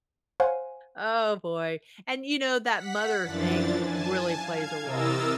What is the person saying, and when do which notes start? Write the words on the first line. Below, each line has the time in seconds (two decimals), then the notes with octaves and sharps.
Oh boy, and, you know, that mother thing really plays a role,
0.40 C5 C#5 F5 F#5 G#5
2.68 F#5 B6
3.22 F#2 E3 F3 D4 A6
3.79 G#5 A5
4.40 F5 G#6
4.82 C3 E3 A#4 D#5 E6 A6